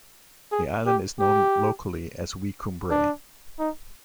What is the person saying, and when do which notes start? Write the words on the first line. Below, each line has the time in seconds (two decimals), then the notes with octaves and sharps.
The island is known locally as Wee Cumbrae.
0.52 G#4
0.86 G4
1.20 G4
2.90 D4
3.59 D#4